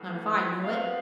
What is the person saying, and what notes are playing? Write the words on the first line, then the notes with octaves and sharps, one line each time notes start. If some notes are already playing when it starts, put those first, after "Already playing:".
Not if I know it.'
Already playing: A2 E3 B3
C3 F3 B3 F5